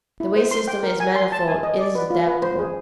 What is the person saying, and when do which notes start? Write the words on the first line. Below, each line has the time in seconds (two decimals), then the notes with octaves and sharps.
The wage system is manifold, it is adaptable.
0.20 E4
0.36 C5
0.51 C6
0.68 G5
0.83 A#4
1.00 G#5
1.16 C6
1.32 A5
1.47 G#5
1.63 D#5
1.79 D5
1.95 B4
2.10 F4
2.27 B4
2.42 C5
2.59 G#4